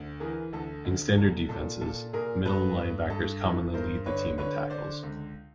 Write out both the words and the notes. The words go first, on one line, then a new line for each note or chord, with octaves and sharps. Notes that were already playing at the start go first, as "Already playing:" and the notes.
In standard defenses, middle linebackers commonly lead the team in tackles.
Already playing: D2
E3 G#4 A#4
D2 A4
D2
C2 A4
A#2 A4
A#2 A4
A#2 G#4 A#4
G2 A4 B4
G2
G2 A4
E3 A4
G2 A#4 C5
D3 B4 C#5
D3 B4 C#5
D3 C5 D5
C#2